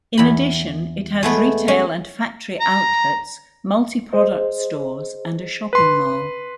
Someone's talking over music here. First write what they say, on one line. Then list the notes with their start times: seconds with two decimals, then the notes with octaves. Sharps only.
In addition it has retail and factory outlets, multi-product stores and a shopping mall.
0.18 E2 B5
1.23 G#3 A3 B3
1.68 C#4
2.60 A#5
4.13 G#4 C5 D#5
5.73 B4 C6